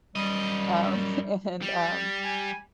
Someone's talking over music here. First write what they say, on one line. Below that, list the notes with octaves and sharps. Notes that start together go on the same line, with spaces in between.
um, and, um,
F#2 G3 D#5
G3
G#5